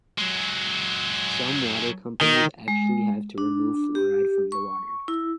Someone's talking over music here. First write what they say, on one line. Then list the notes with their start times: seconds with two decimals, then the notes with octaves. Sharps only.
Some water companies actually have to remove fluoride from the water.
0.19 F#3 G#3
2.21 D#3
2.68 G#3
3.38 D4
3.95 G4
4.52 C#6
5.08 E4